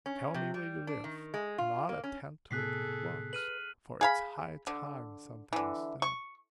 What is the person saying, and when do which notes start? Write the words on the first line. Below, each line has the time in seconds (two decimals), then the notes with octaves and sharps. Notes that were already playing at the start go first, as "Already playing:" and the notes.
Tell me where you live, and I'll attend to it at once, for it's high time something was done.'
0.06 C#4
0.34 C3
0.54 G3
0.87 D4
1.04 D#3
1.34 G#3
1.58 F4
1.89 A#3
2.04 C#4
2.51 A2 C3 B3 G#4 A4 F#6 B6 C7
3.33 B4 F6 D#7 F#7
4.01 G#4 F5 B5
4.67 D3
5.53 D3 E3
6.02 C#6